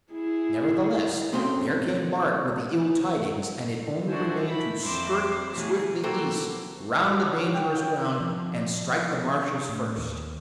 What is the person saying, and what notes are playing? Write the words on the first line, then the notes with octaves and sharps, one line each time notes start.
Nevertheless, there came Bart with the ill tidings, and it only remained to skirt swiftly east, round the dangerous ground, and strike the marshes first.
E4 G#4
B2 A3 C4 C#4 C6
D4 F#4 A4 C5 E5 G#5
E4 B5
F2 C4 C5 E5 D6
C5
B2 E3 F#3 A3 G#4
E3 A#3 F#4 G4 A4 C5
F#4
C#5
C#6
G5
G5
F3
A2
D#2